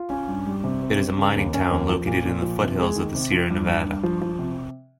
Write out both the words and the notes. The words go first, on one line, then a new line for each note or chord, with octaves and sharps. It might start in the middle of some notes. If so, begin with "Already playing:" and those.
It is a mining town located in the foothills of the Sierra Nevada.
Already playing: F4
C#4
G2
G3
C3
C4
G3
C#3
D#2
C#4
D#2
F3
A#2
A#2
F3
C3
G#3
D#3
C3
F3
G2
G2
G2
F3
F3
C3